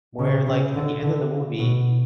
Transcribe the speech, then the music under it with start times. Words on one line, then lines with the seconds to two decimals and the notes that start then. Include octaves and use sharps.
Where, like, at the end of the movie
0.19 C#3
0.46 C#3
0.74 D3
1.03 D3
1.59 B2